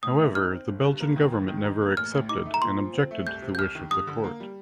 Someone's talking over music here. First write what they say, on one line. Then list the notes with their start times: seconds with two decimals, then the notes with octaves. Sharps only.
However the Belgian Government never accepted, and objected to the wish of the court.
0.03 A2 D#6
0.19 A3
0.35 D#4 F6
0.51 C4
0.67 G1
0.84 G2
1.00 A#3
1.16 D#3
1.32 D#2
1.48 D#3
1.65 D#4
1.81 A#3
1.97 A1 F6
2.14 A2
2.29 D#4 D6
2.45 A3
2.54 A#5
2.62 A#2 C6
2.78 F3
2.93 C4
3.11 A3
3.27 C2 G6
3.42 C3
3.55 G6
3.58 C2 F6
3.75 D#3
3.91 G2 D#6
4.07 D3
4.24 A#3
4.40 G3